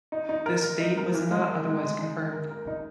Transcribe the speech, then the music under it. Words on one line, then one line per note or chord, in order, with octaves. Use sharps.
This date was not otherwise confirmed.
D#4
D#4
A#4
A#4
D#4
A#4
E3
G#3
A#4
G#3
G#3
D#4
A#4
A#4
A#4
D#4